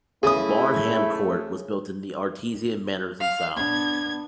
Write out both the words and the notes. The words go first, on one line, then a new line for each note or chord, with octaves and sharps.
Barnham Court was built in the Artisan Mannerism style.
C#3 A3 E4 G#4 D#6
F5
B3 D4 G#6